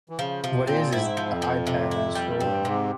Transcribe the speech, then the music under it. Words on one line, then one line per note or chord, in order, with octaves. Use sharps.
What it is is the iPad and the scrolling.
E3
C#3 F3
C3 F3
A#2 C4
G#2 E4
F3
F2
F3
C3
E4
G3
G2 C4
G#2 C3